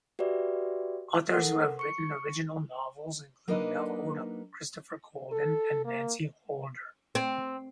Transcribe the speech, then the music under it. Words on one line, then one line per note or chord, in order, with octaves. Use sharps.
Authors who have written original novels include Mel Odom, Christopher Golden, and Nancy Holder.
F#4 G4 B4 D5 E5
A4 A#4 F#5
C#6 C#7
F#3 A#3 D4 D#4 B4 D#5
A4
A#3
C4